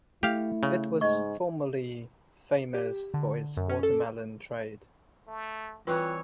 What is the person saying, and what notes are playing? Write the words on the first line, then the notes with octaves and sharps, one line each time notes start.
It was formerly famous for its watermelon trade.
A3 E4 G4 F5
C#3
G#2 D#5 C#6
G4
D3
F#2
C#4
A4
A3
E3 G3 C4 F4 B4 C#5 G5 F#6